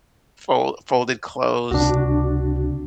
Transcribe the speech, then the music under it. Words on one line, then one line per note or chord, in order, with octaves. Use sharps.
fol folded clothes
C#2 C3 D4 F#4